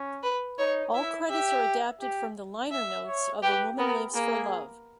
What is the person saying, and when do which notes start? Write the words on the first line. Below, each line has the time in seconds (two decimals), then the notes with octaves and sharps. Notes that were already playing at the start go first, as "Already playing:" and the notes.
All credits are adapted from the liner notes of "A Woman Lives for Love".
Already playing: C#4
0.23 B4
0.58 D#4 C#5
0.94 E4 E5
1.29 G4 E5
2.01 G4
2.72 E5
3.06 C#5
3.42 G4 B4
3.78 B3 A#4
4.14 A#3 G#4